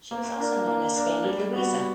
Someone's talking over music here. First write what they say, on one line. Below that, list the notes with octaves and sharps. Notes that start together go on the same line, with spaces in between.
She was also known as Fanny Louisa.
A#3
D4 A#4
A#3
D4 A#4
G3
B3 F#4